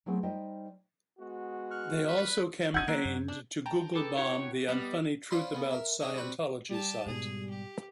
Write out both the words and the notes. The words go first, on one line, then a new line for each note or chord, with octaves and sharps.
They also campaigned to Google bomb "The Unfunny Truth About Scientology" site.
F#3 A3 B3 C4 E4 G#4
G3 D#4 C5 D#5 G5
G#3 B3 F#4
C#6 F6 F#6
B4
D1 G1 D4 D#4 F#5 G6 G#6
F#3 A#3 D4
F#2
D4
G5 A5 A#5
G#4 A4 B4 D6
E4 F#4 G4 C#5
G3 B3 D#5
C#4 F4 C5 D5 B5 C6
C#3 B3
A#4 E5
C#4 D4 G#4 D#5 G5
G3 C4 F#4 B4
G3 G4 A5
G#2 B2 G#4
G4